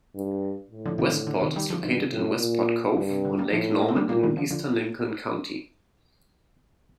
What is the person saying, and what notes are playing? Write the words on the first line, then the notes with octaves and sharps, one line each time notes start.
Westport is located in Westport Cove on Lake Norman in eastern Lincoln County.
G2
A2
D3 F3
C3 D#3
D3
D3
C3 D#3
D#3 G3
D3 F3
G2 C3 D#3
A2
A#2
G2 D3
C3
D3
G3 A#3
A2 F3 A3
A#3
C4
G3 A#3
A#2 G3 A#3
D#3 G3
D3 F3
D3 F3